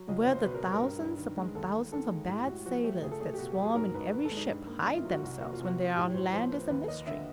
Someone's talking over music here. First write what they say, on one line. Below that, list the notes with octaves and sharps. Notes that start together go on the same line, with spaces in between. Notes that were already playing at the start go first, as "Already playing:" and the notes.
Where the thousands upon thousands of bad sailors that swarm in every ship hide themselves when they are on land is a mystery.
Already playing: F#3
C#2 D#5
C#5
C#2
C5
B2 B4
A#4
G3 B4
A#4
G2
G2
D#3
G#3
D#2 A4
D#2
D#3 A4
G#3
A2 G4
A2 F#4
F3 F#4
A3 G4
C#2 G#4
A4
A3 G#4
G4
B2 F#4
G4
F#3
G#4
G#2 A#4
G#2 B4
D#3 B4
A4
G#3
D#4
G2
A#3
D#3 D#4
E4
F4
F#3
F#4
C2 F#4
A#3 F#4
F4
C3 F#4
F3
A2 G4
C#5
A2 C5
F3 C5
A#3 B4
D#2 B4
A#3 D#5
D3 E5